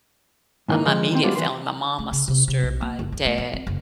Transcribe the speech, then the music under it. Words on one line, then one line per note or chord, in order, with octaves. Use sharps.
uh, my immediate family, my mom, my sister, my dad,
G#2 D#3 E3 A#3 D#4
D3 F3 G#3
D#3 F3 C4
G3 G#3 B3 D4 F4 F#4
E3 B4 C6
A3
C#3
C3
C3
B1
A#3
F#1
E2
A3
F#3
C4
F#1